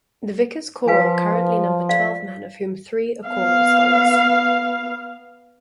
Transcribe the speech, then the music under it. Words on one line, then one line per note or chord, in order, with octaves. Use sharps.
The Vicars Choral currently number twelve men, of whom three are choral scholars.
F3 B4 F5 G#5
D5 F5
B3 F5